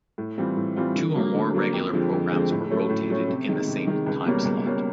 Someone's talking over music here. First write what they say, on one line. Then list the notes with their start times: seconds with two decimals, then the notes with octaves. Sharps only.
Two or more regular programs were rotated in the same time slot.
0.18 A2
0.38 E3 G3 C4 F4
0.57 A2
0.76 E3 G3 C4 F4
0.96 D3
1.15 F#3 A#3
1.34 D3
1.54 F#3 A#3
1.73 F2
1.93 D3 F3 G#3 C4
2.12 F2
2.32 D3 F3 G#3 C4
2.51 A2
2.70 F#3 A3 C#4
2.90 A2
3.09 F#3 A3 C#4
3.28 C3
3.48 D#3 G#3
3.68 C3
3.87 D#3 G#3
4.06 C#2
4.26 B2 G3 A#3 C#4
4.45 C#2
4.64 B2 G3 A#3 C#4